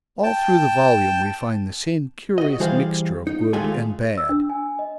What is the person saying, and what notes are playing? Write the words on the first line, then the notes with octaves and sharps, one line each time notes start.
All through the volume we find the same curious mixture of good and bad.
G5 A5
F#4 D#5
E3 G3 G#4 C5 F5
D#4
D#2 G#3 A3 F4 G#4 G#5
E6
D4
G#5
D#5